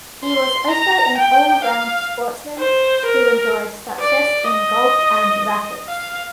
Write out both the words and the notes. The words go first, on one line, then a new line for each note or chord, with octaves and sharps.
He was also an all-round sportsman who enjoyed success in golf and racquets.
C6
A#5
G5
F5
C5
A#4
D5
D#5
F5